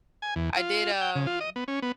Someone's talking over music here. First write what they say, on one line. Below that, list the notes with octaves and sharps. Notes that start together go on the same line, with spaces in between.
I did, um
G#5
E2
F4
G5
C#3
F4
D#5
B3
C#4
B3